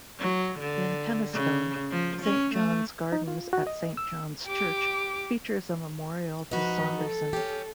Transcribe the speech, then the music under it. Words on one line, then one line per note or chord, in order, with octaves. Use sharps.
In Penistone, Saint John's Gardens at Saint John's Church features a memorial to Saunderson.
F#3
D3
C#3
F3
C#4
A3
D#4
F4
F#4
D#5
E6
G4 D6
F3 D#4 F#4 B4
A4
C#4 G4